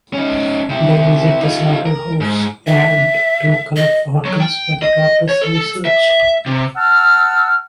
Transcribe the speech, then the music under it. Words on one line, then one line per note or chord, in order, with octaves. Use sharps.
They visit the slaughterhouse yard to collect organs for the doctor's research.
C#4 D#4
C3 E4
D#4 F4
A#4
G#2
E5
D#5
F#3
G5
D#5
C#5
A4
E5
C3
F#5 A5 E6 F6